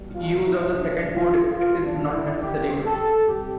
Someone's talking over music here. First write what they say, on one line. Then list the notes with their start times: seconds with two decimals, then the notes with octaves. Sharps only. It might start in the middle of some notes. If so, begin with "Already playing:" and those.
Use of the second port is not necessary.
Already playing: B2 G3
0.14 F4
0.43 E4
0.71 D4
1.14 F4
1.55 F4
1.84 D4
2.12 E4
2.40 G4
2.83 A4
3.24 C3 G3 G4